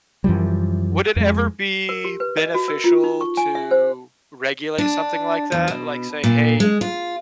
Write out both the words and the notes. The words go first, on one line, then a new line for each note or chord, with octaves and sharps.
would it ever be beneficial to regulate something like that? Like, say, "Hey,
F#2 E3 F3 G3
F2 G#3
A#4
G4
B4
D#5
F#4
A#4
F4
D#4
C#6
G#5
E5
C5
D4
E2
B2
A#2
G#3
F4